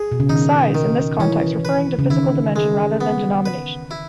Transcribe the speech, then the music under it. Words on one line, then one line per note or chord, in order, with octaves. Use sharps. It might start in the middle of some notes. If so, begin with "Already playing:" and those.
"Size" in this context referring to physical dimension rather than denomination.
Already playing: G#4
B2
C#3
D#3 D#4
D#3
E3 C#4
B4
C#3
D#3 E4
G#3
B3
B4
E4